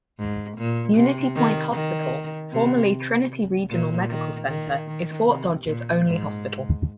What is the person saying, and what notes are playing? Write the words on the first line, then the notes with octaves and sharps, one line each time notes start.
Unity Point Hospital, formerly Trinity Regional Medical Center, is Fort Dodge's only hospital.
G#2
A#2
C3
D#3
D#3
C3
A#2
D#3
D#3
D#3
C3
A#2
G#2